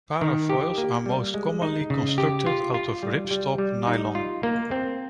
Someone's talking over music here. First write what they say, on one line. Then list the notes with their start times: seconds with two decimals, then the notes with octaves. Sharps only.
Parafoils are most commonly constructed out of ripstop nylon.
0.21 D#3
0.49 G4
0.78 A#3
1.06 G3
1.34 G#3
1.62 D#4
1.90 C#3
2.18 G4
2.46 F4
2.74 F4
3.03 G3
3.31 G3
3.58 G3
3.87 D#4
4.15 F4
4.43 A#3
4.71 C4